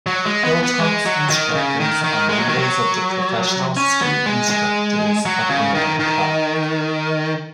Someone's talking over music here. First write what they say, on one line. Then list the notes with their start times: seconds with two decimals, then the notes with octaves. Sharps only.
Hilltop's instructors are members of the Professional Ski Instructors of America.
0.06 F#3
0.26 G#3
0.44 B3
0.63 B3
0.81 G#3
1.06 F#3
1.30 D#3
1.55 C#3
1.80 D#3
2.04 D#3
2.29 G#3
2.39 F#3
2.49 D#3
2.58 F#3
3.77 C#4
4.02 B3
4.26 G#3
4.51 G#3
5.25 F#3
5.50 C#3
5.75 D#3
5.99 D#3